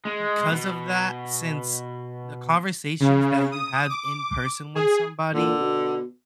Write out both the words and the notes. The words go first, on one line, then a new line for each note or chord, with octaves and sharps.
because of that, since the conversations that you have in person with somebody,
G#3
B2
C#3
D#6
D6
G#4
A#2 D3
B2